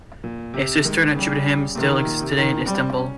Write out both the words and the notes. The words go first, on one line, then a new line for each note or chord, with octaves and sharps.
A cistern attributed to him still exists today in Istanbul.
A#2
C3
D#3 G#3
C#3 G3
C3 D#3
C3
A#2
C3
D#3
C#3
G3 C4
C#4